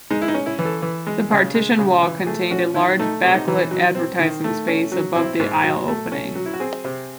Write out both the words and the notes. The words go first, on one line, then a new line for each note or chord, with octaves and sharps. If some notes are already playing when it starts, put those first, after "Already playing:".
The partition wall contained a large backlit advertising space above the aisle opening.
G#3 D#4
E4
D#4
C#4
E4
E3
A4
E3
G#3
C#3
G#3
C#3
E3
A3 G#4
C#4 F#4
D#3 E4
A3 D#4
C3
D#4
E3
F#3
C4
D#3
A3
C#4
F#3
C4 E4
G#2
F#3
A3
C#4
F#3
E4
F#4
C4 G#4
C3